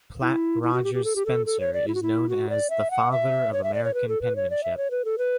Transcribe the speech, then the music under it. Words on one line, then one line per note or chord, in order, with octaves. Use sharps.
Platt Rogers Spencer is known as the "Father of American Penmanship".
E4
E4
F#4
G4
G4
A4
G4
A4
A4
C#5
D5
E4
F#4
E4
F#4
D5
E5
F#5
E5
C#5
E5
D5
C#5
B4
A4
B4
C#5
D5
E5
C#5
B4
A4
B4